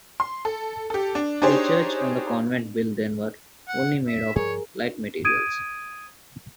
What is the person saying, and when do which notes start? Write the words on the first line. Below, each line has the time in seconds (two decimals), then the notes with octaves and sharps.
The church and the convent built then were only made of light materials.
0.20 C6
0.45 A4
0.90 G4 A4
1.15 D4
1.42 D4 D#4 G4 G#4 C5 C#5
3.68 F#5
4.07 E5
4.36 G2 F3 G3 G#4 A#4 C#5
5.25 D#6 G#6 D7 D#7